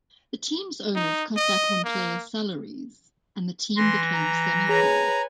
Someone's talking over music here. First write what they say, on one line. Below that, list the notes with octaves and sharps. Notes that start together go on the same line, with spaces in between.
The team's owners cut back on players' salaries, and the team became semi-pro.
D#4
D#5
A#3
E3 C6 A#6
A#5
G#4 B4 C#5 G#5 A#5